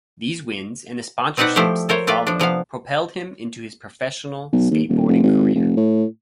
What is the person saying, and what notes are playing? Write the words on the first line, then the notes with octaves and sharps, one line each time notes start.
These wins, and the sponsorships that followed, propelled him into his professional skateboarding career.
B2 C4 D#4 B4 D5 F#5
F3 A3 E4 G4 C5
A4 A#4 C5 C#5
A3 F4 B4 D5
F3 D4
C3 F3 B3 F5
B1
D#2
D#1
F1
G#1
F1
A2